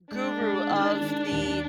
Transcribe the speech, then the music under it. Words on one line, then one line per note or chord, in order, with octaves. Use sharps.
guru of the
G#3 D4
G#3
D#3
D#3
D#2